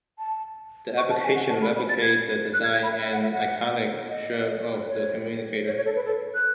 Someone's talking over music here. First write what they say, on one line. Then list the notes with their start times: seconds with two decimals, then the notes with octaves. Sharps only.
The application replicated the design and iconic chirp of the communicator.
0.19 A5
0.98 C#6
1.10 A5
1.24 G#5
1.36 F#5
1.50 A5
1.62 B5
1.76 B5
1.89 A6
2.02 G#6
2.54 F#6
2.63 G#6
2.73 G#6
2.83 B5
2.92 E5
3.02 E5
3.13 F#5
3.22 E5
3.32 F#5
4.09 D#5
4.89 C#5
5.66 C#5
5.76 C#5
5.85 A4
5.96 B4
6.05 A4
6.35 F#6